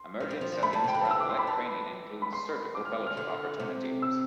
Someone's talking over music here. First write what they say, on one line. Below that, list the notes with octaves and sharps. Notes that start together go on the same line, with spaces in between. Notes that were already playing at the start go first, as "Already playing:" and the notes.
Emerging settings for athletic training include surgical fellowship opportunities.
Already playing: C6
F3
G3
F3
F3
A3 B5
G3 A5
C3 G5
D3
E3 A5
E6
D6
C6
B5
E3 A5
B5
C6
D6
F6
F6
D3
C3
E6